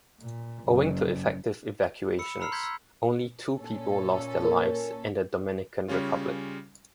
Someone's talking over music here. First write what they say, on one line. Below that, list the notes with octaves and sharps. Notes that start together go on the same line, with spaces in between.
Owing to effective evacuations, only two people lost their lives in the Dominican Republic.
A#2
F#1
B5 E6 C#7
A#5 B5 E6 F6 C7
C6 G6 G#6 B6
E6
A#2 C#4 A4
A#4
C#3 G3 C#4 F4